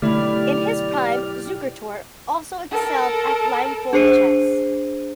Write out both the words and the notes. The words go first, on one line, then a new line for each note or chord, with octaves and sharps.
In his prime Zukertort also excelled at blindfold chess.
B1 D3 A3 E4 G4 D5 B5 F6
A4 A#4
D4 G#4 C5 C7 C#7 D#7